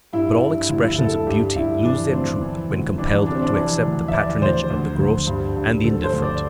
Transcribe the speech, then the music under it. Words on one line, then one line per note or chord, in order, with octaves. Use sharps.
But all expressions of beauty lose their truth when compelled to accept the patronage of the gross and the indifferent.
G2 E4
G2
D2 E4
E4
D2 A4
G2 G4
G2 E4
E3 D4
D2 C4
E3
D2
E3 D4
C2 D4
C4
D4
E3
D2
E5
E3 D5
D2 C5
D2
D2
G2
G2
D2 A4
C5
D2
D5